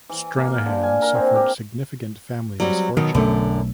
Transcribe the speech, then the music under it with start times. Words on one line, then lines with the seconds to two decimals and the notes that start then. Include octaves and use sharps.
Stranahan suffered significant family misfortune.
0.10 E3
0.36 A#3
0.48 F5
0.66 D3
0.83 G#5
1.02 A#4
1.15 C4
1.35 G4
2.60 F#3 G3 C4
2.97 B2 D#3 F#3 B3
3.14 B1 F#2 D3 A3